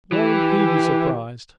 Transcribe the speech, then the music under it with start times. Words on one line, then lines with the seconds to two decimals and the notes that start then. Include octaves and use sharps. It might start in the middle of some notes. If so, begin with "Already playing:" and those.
"Won't he be surprised!"
0.12 E3 G4